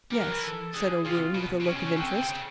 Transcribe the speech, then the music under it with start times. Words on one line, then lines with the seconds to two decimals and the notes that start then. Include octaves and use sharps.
"Yes," said O'Roon, with a look of interest.
0.11 G3 A#4
0.21 F#3
0.32 E3
0.42 A4
0.74 D3 G#4
1.04 C3 F4
1.35 B2
1.62 B2
1.66 C3 C#4
1.77 C#3
1.87 C#3
1.97 D3 C4
2.06 C#3
2.15 D3
2.23 C3
2.29 C#3